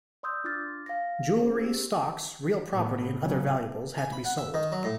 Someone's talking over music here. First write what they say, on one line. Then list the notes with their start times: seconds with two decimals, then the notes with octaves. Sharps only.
Jewellery, stocks, real property and other valuables had to be sold.
0.23 D5 C6 D#6 E6 G6
0.44 D4 F4 D6 F6 A6
0.86 F5 A#6
1.41 C#4 G#4 C5
1.61 G4 E6
2.72 A2 B3
3.20 C#3 F#3
3.98 G#5
4.12 B5
4.24 F#5
4.38 E5
4.54 D#3
4.72 F#3
4.84 A2